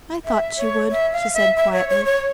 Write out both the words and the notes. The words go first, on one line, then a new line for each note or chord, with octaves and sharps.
"I thought you would," she said quietly.
E5
C#5
E5
F5
E5
E5
C#5
C#5
C#5